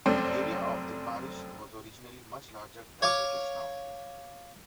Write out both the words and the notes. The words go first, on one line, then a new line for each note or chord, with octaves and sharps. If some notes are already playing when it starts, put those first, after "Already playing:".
The area of the parish was originally much larger than it is now.
F1 F#2 C4 A4 C5 D5
C#5 F5 D6